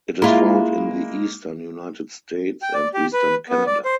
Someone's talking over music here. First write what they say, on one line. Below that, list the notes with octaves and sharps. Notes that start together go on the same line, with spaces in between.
It is found in the eastern United States and eastern Canada.
G#3 A#3 E4 F4
G5
D5
G4
B4
B3
D5
C5